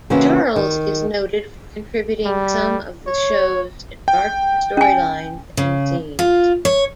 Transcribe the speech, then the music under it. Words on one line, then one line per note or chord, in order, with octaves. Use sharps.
Charles is noted for contributing some of the show's darker storylines and scenes.
C#3 E3 A#3 C4 C#4 F#4
D#3
G3
C#5
G5
C#4 G#5
C#3
F4
C#5